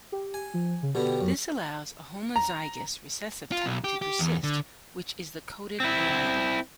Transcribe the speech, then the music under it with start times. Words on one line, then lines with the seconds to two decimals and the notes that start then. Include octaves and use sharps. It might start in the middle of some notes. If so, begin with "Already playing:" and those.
This allows a homozygous recessive type to persist, which is the coated variety.
0.12 G4
0.34 G#5
0.54 F3
0.83 C#3
0.95 B2 D3 B3 G4
1.21 F#2
2.36 A#5
3.52 F4
3.66 B1
3.84 G4
4.02 G4
4.19 E2
4.44 D3
5.80 C4 E4